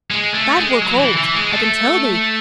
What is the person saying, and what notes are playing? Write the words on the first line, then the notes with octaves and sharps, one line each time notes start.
That were cold, a can tell the'!
G#3
A3
G#3
F#3
E3
E3
G#3
A3